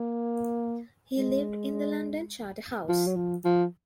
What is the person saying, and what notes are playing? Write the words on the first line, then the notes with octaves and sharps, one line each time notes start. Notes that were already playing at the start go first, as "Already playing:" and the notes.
He lived in the London Charterhouse.
Already playing: A#3
G#3
F3
F#3
F3
F3